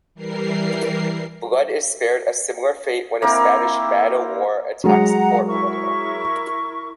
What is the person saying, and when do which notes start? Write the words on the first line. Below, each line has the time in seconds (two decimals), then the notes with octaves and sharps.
Blood is spared a similar fate when a Spanish man-o-war attacks Port Royal.
0.15 E3 G3 A#4 C7
3.22 A#3 C4 E4 A#4
4.84 F#3 G#3 F#5 A#5
5.47 E4 A#4 C#6